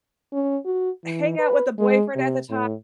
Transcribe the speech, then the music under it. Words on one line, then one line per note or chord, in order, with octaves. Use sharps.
hang out with the boyfriend at the ti
C#4
F#4
E3
B4
G#3
C3
A2